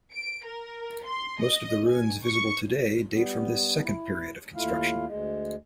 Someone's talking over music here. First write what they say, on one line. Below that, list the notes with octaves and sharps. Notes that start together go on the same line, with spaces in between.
Most of the ruins visible today date from this second period of construction.
D7
A#4
C6
D#5
G#5
C#6
G3 B3
E4
D#2 A3 E4 F4 F5
D2 G#3